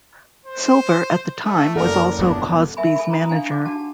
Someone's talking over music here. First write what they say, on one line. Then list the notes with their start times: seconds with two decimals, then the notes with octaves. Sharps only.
Silver, at the time, was also Cosby's manager.
0.46 C5
1.44 A3
1.76 F#1 A4 A#4 D5 F#5
2.18 D#1 G2 B3 D4
2.77 A#4 E5 G#5 B5
2.96 A4 G#5 B5
3.10 E4 A#5 D#6
3.29 D4 F5 G#5
3.48 D4 D6
3.65 D4 F#4 F#5 A5